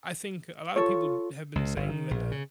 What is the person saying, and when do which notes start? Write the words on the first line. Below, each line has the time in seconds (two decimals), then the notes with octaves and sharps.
I think a lotta people have been saying that, uh
0.76 F4 A4 C#5
1.55 C#2
1.76 G1
1.89 D#3
2.11 A#1
2.31 C#3